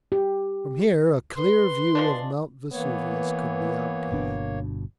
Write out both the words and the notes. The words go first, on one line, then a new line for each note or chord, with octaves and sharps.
From here a clear view of Mt. Vesuvius could be obtained.
G4
B4 C6
F3 G#3 D4
E3 A#3 B3 C#5
G1 B2 D4